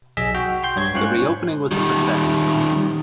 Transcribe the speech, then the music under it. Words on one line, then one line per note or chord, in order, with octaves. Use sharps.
The reopening was a success.
B1 G#4 D#5 E6 B6
F#4 G5
G5 C6 G6
G2 C#5 G#6
G#2 C#4 F4 C5 C#6 F#6
D#3 G3